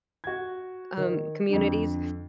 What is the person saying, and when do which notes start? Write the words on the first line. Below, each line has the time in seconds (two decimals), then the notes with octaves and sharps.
um, communities,
0.24 F#4 G#6
0.97 D#3
1.49 F2 D3